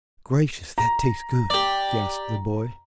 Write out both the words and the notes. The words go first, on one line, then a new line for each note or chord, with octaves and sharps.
"Gracious, that tastes good!" gasped the boy.
A#5
G4 D5